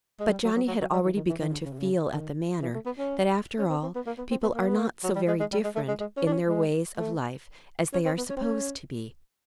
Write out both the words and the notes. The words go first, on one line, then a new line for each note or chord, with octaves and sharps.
But Johnny had already begun to feel at the Manor that, after all, people are not so very different in their ways of life as they are supposed to be.
G#3
F#3
G3
F#3
F#3
F#3
F#3
G3
E3
D#3
E3
E3
D#3
D3
C#3
C3
C#3
D#3
E3
A3
B3
C#4
C#4
C4
C4
B3
A#3
B3
C4
B3
A#3
B3
A#3
F#3
G3
G#3
G#3
G3
G#3
A3
G#3
G#3
C#4
D4
C#4
G#3
A3
C#4
C4
B3
C#4
C4
C#4